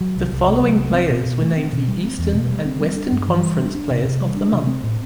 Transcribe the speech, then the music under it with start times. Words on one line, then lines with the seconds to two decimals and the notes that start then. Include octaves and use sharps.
The following players were named the Eastern and Western Conference Players of the Month.
0.01 F#3
0.17 C2
0.32 C2
0.48 C3
0.64 F#3
0.78 C2
0.94 C4
1.10 B2
1.26 B2
1.41 A3
1.57 C4
1.73 B2
1.88 G3
2.04 C4
2.18 E2
2.34 B2
2.50 G3
2.66 C4
2.80 G3
2.96 D4
3.12 G2
3.28 E3
3.43 G3
3.58 D4
3.75 D4
3.91 C3
4.05 C3
4.21 G3
4.37 D4
4.53 C3
4.67 C4
4.83 A2